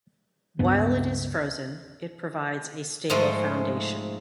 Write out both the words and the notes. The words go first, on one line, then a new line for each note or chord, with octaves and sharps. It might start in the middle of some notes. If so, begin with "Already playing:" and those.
While it is frozen, it provides a stable foundation.
C#2 G2 B3
G#2 F3 G#3 A3